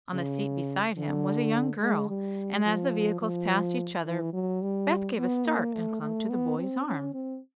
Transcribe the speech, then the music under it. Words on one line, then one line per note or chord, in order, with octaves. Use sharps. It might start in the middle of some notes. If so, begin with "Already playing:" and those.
On the seat beside him was a young girl, and as the vehicles passed each other Beth gave a start and clung to the boy's arm.
C#3
D3
G#3
G3
F3
F3
E3
F#3
G3
B3
A#3
A3
A3
B3
C4
C#4
C4